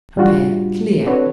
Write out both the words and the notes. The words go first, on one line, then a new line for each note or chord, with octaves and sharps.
Compare CLEAR.
A2 G3 D4 F4 F#4
C4 D4 F#4 A4 B4 C#5